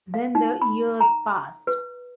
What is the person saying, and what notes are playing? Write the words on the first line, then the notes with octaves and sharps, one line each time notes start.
Then the years passed.
F5
D#4
B5
A#5
B4